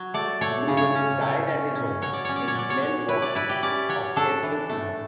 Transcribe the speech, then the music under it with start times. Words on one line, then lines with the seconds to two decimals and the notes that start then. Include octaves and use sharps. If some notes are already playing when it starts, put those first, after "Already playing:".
Lubell died at his home in Milwaukee of emphysema.
Already playing: F#3
0.14 A3 D5
0.41 A3 C#5
0.68 C#3
0.77 C#5
0.95 C#4
1.21 A3
1.48 C#4
1.75 C#4
2.02 F#3 C#5
2.13 D5
2.25 C#4 C#5
2.36 D5
2.48 C#5
2.55 F#3 D5
2.70 C#5
2.82 F#3
3.08 E4 B4
3.22 D5
3.35 E4 B4
3.49 G4
3.62 C#4 D5
3.89 F#3 C#5
4.16 D4 A4
4.43 E3
4.69 A3